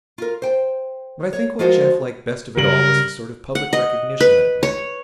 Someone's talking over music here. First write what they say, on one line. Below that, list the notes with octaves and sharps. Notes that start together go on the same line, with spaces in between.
But I think what Jeff liked best of it all was the sort of public recognition that it meant.
F4 A#4
C5 G5
C#5
F3 G#3 F4 F#4 A#4 C5
C#3 G3 A#4 F#7
F#5
D#5
B4
C#5